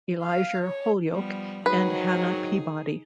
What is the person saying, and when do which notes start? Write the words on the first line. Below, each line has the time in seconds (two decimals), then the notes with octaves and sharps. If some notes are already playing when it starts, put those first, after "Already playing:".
Elizur Holyoke and Hannah Peabody.
0.22 F5
0.64 C#5
1.11 F3 G3 B3
1.66 G#2 D#3 F#3 D#4 G#4 B4